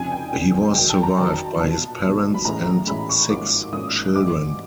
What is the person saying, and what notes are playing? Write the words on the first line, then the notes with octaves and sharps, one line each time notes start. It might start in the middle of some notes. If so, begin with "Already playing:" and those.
He was survived by his parents and six children.
Already playing: F1 F2 C#3 G#5
G5
F1 F2 C#3
G5
F#2 D#3 F#3 G5
A5
A#5
F#2 D#3 F#3 A5
B1 A#2 F#3 B3 A5
B1 A#2 F#3 B3
B5
A1 A2 E3 G#3 C#4 A#5
A1 A2 E3 G#3 C#4 B5
C#6
G#1 G#2 F3 A#3 C#4 D6
G#1 G#2 F3 A#3 C#4 D#6
G#2 E3 G3 D6